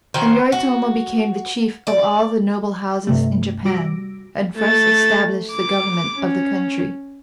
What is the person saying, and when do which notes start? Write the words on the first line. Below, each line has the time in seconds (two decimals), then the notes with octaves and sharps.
And Yoritomo became the chief of all the noble houses in Japan, and first established the government of the country.
0.14 D#3 F#3 C5
0.52 F#4
1.87 D5
3.07 G2 C3 A3
3.65 G3 F#4 D6 E6 A#6 D7
4.57 A3 A6
5.52 D6
6.18 C#4